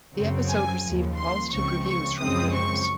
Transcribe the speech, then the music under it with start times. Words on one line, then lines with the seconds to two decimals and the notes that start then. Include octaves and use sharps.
The episode received positive reviews from critics.
0.15 F#2 C#3 F#3 C4
0.49 G#5
0.82 D#2 C#3 F3
1.17 C6
1.51 C#2 C#3 F3 C4 C#6
1.85 C#6
2.19 F#2 C#3 F3 G#3 C4 D#6
2.53 C#6